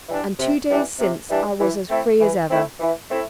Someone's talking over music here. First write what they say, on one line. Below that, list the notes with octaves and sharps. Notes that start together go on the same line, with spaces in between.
"And two days since I was as free as ever."
E3 G3 D4
C3
E3 G3 D4
C3
E3 G3 D4
E3
A3 C4 E4
E3
A3 C4 E4
E3
A3 C4 E4